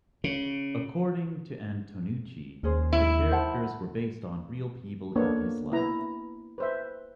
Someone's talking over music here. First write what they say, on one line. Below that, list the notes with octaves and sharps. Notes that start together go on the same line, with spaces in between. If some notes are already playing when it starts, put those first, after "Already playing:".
According to Antonucci, the characters were based on real people in his life.
C#3
D#2 C#4 G#4 C5
E4
C5 F#5 A5
A#3 B3 D4 A4 C#5
B3 E4 A#5
B4 C5 E5